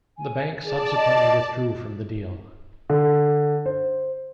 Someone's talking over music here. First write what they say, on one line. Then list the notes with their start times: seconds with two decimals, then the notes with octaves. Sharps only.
The bank subsequentially withdrew from the deal.
0.18 G#5
0.64 G#4 D5 A5
0.95 D#5
2.90 D3
3.66 C5